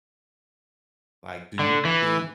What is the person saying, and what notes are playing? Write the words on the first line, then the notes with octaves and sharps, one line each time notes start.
like, do you think
D3
E3